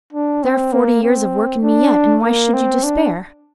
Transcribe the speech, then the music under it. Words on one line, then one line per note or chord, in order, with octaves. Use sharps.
There are forty years of work in me yet, and why should you despair?
D4
C4
A#3
C4
D4
A#3
C4
D4